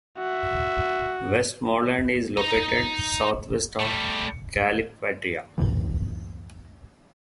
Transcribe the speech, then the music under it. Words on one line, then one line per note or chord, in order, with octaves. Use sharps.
Westmorland is located southwest of Calipatria.
F#4 E5
D#4 A#5
G3 A3
C#2 F#2 A2 E3